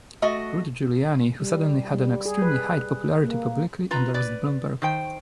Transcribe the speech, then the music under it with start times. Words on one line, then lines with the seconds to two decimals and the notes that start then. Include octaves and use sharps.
Rudy Giuliani, who suddenly had an extremely high popularity publicly endorsed Bloomberg.
0.22 A3 F#4 D#5
1.40 G3
1.94 G3
2.25 G#4
2.42 B4
3.24 A#3
3.91 F4 B4 A#5
4.14 B4 D5
4.82 D#3 C5 G5